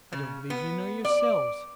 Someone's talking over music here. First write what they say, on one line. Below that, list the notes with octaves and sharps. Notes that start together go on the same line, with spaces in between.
I don't believe you know yourselves.
C#3
B3
D5